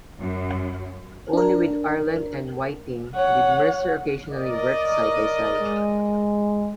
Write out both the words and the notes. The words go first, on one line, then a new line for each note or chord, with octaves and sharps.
Only with Arlen and Whiting did Mercer occasionally work side-by-side.
F#2
D4 A#4
C#5 F#5
A#4 D5 D#5
G#3